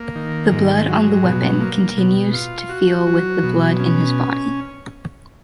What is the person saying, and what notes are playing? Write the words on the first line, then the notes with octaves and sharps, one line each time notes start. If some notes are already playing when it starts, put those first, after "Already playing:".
The blood on the weapon continues to feel with the blood in his body.
Already playing: A#3
D#3
G#2
F#3
B2
A#3
B2
F4
F#4
F#3
B2
C#4